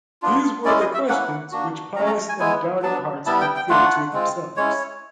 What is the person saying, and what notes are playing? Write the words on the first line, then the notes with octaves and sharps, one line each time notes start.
These were the questions which pious and doubting hearts were putting to themselves.
B3 D4 F4
G#3 C#4 E4 D5
D#5
E5
A#3 C#4 E4 F#5
A#3 D4 F#4
F#3 A3 C#4 A#5
A#5
G#5
G#3 B3 E4 G#5
F#3 B3 D4 A5
G3 B3 E4 A5
G5
G5
A3 D4 F4 F#5
G#3 C4 F4
G#3 C#4 E4 C#5